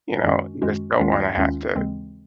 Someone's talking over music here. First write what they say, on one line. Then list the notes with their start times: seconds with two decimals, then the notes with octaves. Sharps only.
you know, you just don't wanna have to
0.24 F#2 D#3 G#3 C#4 F#4
0.62 F#2 D#3 G#3 C#4 F#4
0.99 D#2 D#3 G#3 C#4 F4
1.37 D#2 D#3 G#3 C#4 F4
1.75 D#2 C#3 E3 G#3 C4